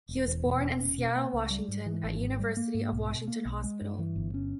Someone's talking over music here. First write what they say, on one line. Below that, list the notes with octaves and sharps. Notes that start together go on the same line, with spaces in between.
He was born in Seattle, Washington, at University of Washington hospital.
E1
E2
B2
E1
C#4
B2
A#3
C#2
G3
G#2
E3
G#1
G#2
G3
A#3
G#2
B1
B2
A#3
B1
G#3
G2
E3
G1
C#4